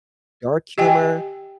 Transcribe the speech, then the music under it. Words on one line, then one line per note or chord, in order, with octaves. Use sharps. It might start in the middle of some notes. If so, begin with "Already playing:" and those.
dark humor,
G4 D#5 G5 G#5